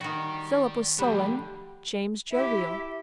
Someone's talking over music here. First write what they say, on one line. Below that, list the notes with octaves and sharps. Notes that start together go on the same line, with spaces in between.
Philip was sullen, James jovial.
D#3 F#4 D5 G5
D3 F3 G3 A3 G5
E4 G4 E5